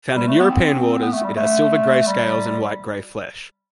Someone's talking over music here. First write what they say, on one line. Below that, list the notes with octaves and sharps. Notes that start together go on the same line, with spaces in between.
Found in European waters, it has silver grey scales and white-grey flesh.
G3
A3
B3
C4
B3
A3
G3
A3
G3